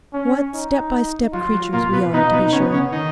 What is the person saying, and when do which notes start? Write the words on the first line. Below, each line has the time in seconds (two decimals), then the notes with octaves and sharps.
What step-by-step creatures we are, to be sure!
0.13 C#4
0.54 D#4
1.33 F#3 F4
1.53 F#3
1.73 A#2 A#3 F4
1.93 B2 B3
2.13 B2 B3 D#4
2.33 B2 B3
2.52 C#3 B3 C#4
2.73 C#3 C#4
2.92 D#3 D#4